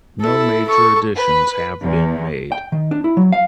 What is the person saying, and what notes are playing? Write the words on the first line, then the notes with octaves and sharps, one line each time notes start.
No major additions have been made.
E4 A4
A4 C#6
B4
E2
G5
D#3
D4
E4
F#3
F5